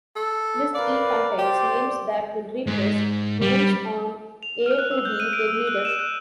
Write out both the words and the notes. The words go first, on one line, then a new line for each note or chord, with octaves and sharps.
List E contains names that will replace names on A-D when needed.
A4
A#4 B4 D5 F5
G4 C5 D5
G#2
G3
F7
F6
F#6
E6
G6
D#7
D7
E6
F#6
E7
F#6